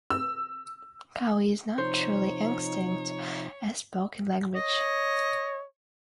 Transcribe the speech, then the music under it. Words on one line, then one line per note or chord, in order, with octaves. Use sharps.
Kawi is not truly extinct as a spoken language.
E6
C3 F3 D#4 C5 C#5
C#5 D#5